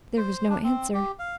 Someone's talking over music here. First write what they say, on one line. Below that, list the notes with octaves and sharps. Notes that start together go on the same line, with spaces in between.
There was no answer.
C5
D4
C4
G4
F5